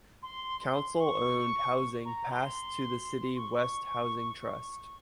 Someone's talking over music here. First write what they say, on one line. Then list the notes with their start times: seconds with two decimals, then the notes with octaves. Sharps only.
Council-owned housing passed to the City West Housing Trust.
0.23 C6
0.61 C6
1.00 C#6
2.05 A#5
2.31 C6
3.37 C#6